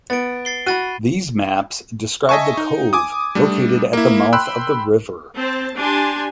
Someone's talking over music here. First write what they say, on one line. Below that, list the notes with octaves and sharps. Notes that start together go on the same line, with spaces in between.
These maps describe the cove located at the mouth of the river.
B3 A6 D7
A6 C7 G7
F#4 B5 A6 D#7
D#5 E5 G#5 A5 C#6
D#4
G#5 D6 D#6
G3 A3 D4
A#3 E4
G5 B5 C6 E6 F#6
C4 C5 A5
D4 G4 G#5 C6